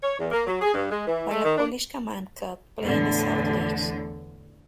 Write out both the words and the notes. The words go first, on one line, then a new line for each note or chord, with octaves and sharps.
Ballachulish Camanachd Club play in the South Leagues.
C#5
E2
A#3
F#3
G#4
G2
G#3
E3
A3
D#3
D4
E2 A2 D3 E3